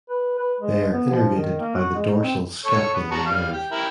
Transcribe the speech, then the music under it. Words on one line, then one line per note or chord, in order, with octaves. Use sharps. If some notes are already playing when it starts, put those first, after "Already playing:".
They are innervated by the dorsal scapular nerve.
B4
B4
G#3
B3
F3
D#3
A#3
F#4
G#3
D#4
C4
A4 C#5 C#6
B3
F#4 A5 A#5
G3 F5
G4
E4 G4 A#4